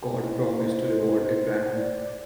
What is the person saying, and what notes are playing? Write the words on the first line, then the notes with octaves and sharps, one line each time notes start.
God promised to reward Abraham.
D#4 E4 C5
D5